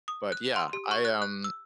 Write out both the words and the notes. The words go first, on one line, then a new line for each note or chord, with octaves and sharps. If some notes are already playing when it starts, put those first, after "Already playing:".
But, yeah, I, um,
D#6
F#6
C6
G4
C#6
F#6
F#6
E6